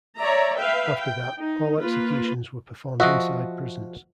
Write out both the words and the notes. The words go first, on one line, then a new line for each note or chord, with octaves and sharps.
After that, all executions were performed inside prisons.
C#5 D5 E5 A#5
B4 E5 F5 G5
G5
D#4
A#3 F4 B4
F3 F#4 D#5 E5